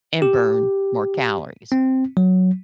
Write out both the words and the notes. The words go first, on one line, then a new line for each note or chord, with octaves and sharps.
and burn more calories.
G4
C4
F#3